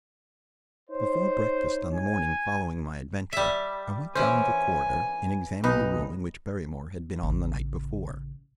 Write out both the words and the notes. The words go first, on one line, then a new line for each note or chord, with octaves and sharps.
Before breakfast on the morning following my adventure I went down the corridor and examined the room in which Barrymore had been on the night before.
D#4 C5 C#5
G#5
G3 E5
E3 C#4 C5 G#5
B1 D#4 B4 D#5
A1 C#3